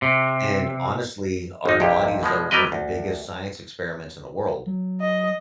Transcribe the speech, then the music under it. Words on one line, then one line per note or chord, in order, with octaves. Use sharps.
and, honestly, our bodies are one of the biggest science experiments in the world.
C3
G#1 D#4
A#1 F2 C3 G4
B2 F3 G#3
F#3 G3 B3 A#4 B4 D#5
D2
F#3
D#5